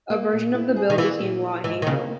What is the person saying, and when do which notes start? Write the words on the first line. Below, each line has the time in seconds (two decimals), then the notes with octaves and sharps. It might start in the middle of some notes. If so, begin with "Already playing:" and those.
A version of the bill became law in April.
0.10 A#3
0.32 A#2
0.55 E4
0.76 G#4
0.90 D#3
0.98 E3 A#3
1.20 A#2
1.42 E4
1.64 G#2 E3
1.82 D#3
1.87 C#3 A#3